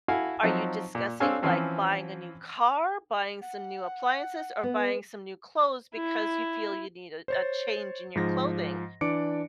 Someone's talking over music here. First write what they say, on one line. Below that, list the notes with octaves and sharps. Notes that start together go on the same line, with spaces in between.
are you discussing, like, buying a new car, buying some new appliances, or buying some new clothes, because you feel you need a a change in your clothing?
E4 F#4 A4 F5 G#5
F3 F#3 C4 D#4
A#2
C4 D4 A4 C#5 F5 G#5
E3 F3 C4 C#4
F#5
B3
E4
C5 C#5 A6
G#2 F3 A#6
E3 D4 D5 D6 C#7 D7